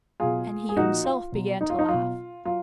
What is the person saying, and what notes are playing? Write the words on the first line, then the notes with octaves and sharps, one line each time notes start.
And he himself began to laugh.
B2 F#3 F4 G#4
G#4
A#2 F3 D#4 F#4
F4
B2 F#3
D#4
F4
D#4
B2 F#3 F4
F#3 F4